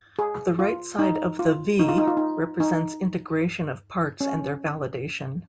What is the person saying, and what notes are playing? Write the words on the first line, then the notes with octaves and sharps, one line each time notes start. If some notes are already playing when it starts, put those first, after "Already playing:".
The right side of the "V" represents integration of parts and their validation.
G#4
F4
D#4
F4
D#4
F4
D#4
F4
D#4
D#4
C#4